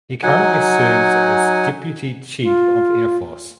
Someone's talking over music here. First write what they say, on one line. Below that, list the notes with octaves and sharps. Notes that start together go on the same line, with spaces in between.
He currently serves as Deputy Chief of Air Force.
F#3 D#4 F#5 G#5
F4